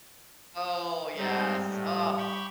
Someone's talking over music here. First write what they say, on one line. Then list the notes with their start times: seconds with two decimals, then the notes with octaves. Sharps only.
Oh, yes, ugh.
1.18 G#2 G3 C4 D#4
1.69 A2
2.18 G4 B5 C#6